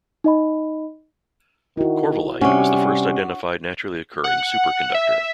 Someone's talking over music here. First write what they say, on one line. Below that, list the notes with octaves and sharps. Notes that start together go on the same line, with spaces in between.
Covellite was the first identified naturally occurring superconductor.
D#4 D#5 B5
D#3 E4 F#4
C3 G3 C#4 D4 C#5 F#5 C#6
F#5
E5